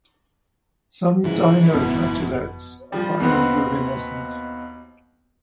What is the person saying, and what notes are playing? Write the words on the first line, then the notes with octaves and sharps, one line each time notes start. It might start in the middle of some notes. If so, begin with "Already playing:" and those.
Some dinoflagellates are bioluminescent.
G#2 C#3 E3 F3 E4
G1 F2 B2 F#5
F3 G3
D#2 B2 B3 C4